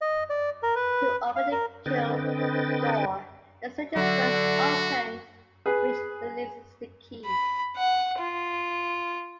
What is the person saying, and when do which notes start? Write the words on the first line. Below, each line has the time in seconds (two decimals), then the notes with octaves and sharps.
To open the kiln door, the switch is first opened, which releases the key.
0.01 D#5
0.30 D5
0.63 A#4
0.75 B4
1.36 F5
1.52 A#4
1.86 D3 C4 B4 D#5 G5 A6
3.96 D3 F#3 F#4 E5 F#5
5.66 G#4 B4
7.26 B5
7.77 F#5
8.19 F4